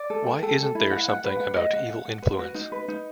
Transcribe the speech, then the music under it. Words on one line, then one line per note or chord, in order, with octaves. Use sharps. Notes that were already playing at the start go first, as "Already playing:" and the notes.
Why, isn't there something about evil influence?
Already playing: D5
A4
G5
A4
A4
E4
F#5
F#5
B4
F#5
D#5
F#5
F#5
F#5
B4
F#4
D#4
B4
D#4